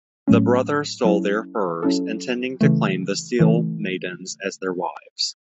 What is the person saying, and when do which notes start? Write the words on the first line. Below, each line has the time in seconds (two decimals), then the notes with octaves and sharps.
The brothers stole their furs, intending to claim the seal-maidens as their wives.
0.28 A2 F#3 A3 C#4
1.05 F#3 C#4 E4 A4
1.83 F#3 C#4 E4 A4
2.61 C#3 E3 A3
3.39 C#3 E3 A3